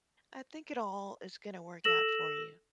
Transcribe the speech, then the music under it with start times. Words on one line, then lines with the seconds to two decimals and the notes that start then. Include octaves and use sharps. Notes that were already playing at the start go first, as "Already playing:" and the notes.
I think it all is gonna work out for you.
1.84 A4 E6 A#6 E7 F#7